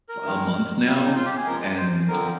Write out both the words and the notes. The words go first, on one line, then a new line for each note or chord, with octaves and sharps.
a month now, and
A#4
G2 D#3 G#3
A#2 G3
D#4
F4
G4
G#4
G2 F3 G#3 A#4
C5
F2 D3 F3 A#4